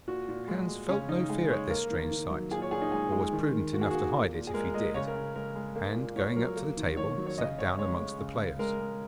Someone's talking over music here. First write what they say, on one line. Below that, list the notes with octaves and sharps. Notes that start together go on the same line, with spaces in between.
Hans felt no fear at this strange sight, or was prudent enough to hide it if he did, and, going up to the table, sat down amongst the players.
A#2 F#4
A#2
G#3
G#3
C#3 C#4
C#3 D#4
G#3 G#4
G#3 C#5
A#3 A#4
D#3
D#3
F#3
A#2 G#4
C#5
A#2 G#4
D#4
G#3 G#4
G#3
D#3
D#3
A#3 F#4
G#4
A#3 F#4
A#2
A#2
G#4
G#3 A#4
G#3 D#5
C#3 C#5
A#4
C#3
G#3 A#4
G#3
A#3
A#2
A#2 C#5
F#3 A#4
A#3
D#3
D#3 C#5
F#3
C#5
C#3 D#5
C#3 C#5
G#3 C#5
G#3
C#3
C#3
G#3 A#4
G#3